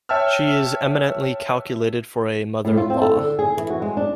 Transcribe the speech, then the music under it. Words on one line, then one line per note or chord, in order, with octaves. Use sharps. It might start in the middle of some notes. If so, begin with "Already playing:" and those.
She is eminently calculated for a mother-in-law.
C#5 E5 G5 A5 E6 F6
A2
F4
C4
A4
D3
G#4
E3
F#4
G#3
D4